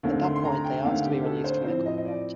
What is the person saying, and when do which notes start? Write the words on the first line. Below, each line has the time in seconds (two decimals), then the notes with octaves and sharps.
At that point, they asked to be released from their contract.
0.03 D#2 D3 A3 C4
0.24 C6
0.36 C6
0.45 A#5
0.64 G5
0.84 D#2 D3 A3 C4 F5
1.05 G4
1.25 A4
1.44 C5
1.64 A2 F3 C4 C5
1.86 D#5
1.98 D#5
2.05 D5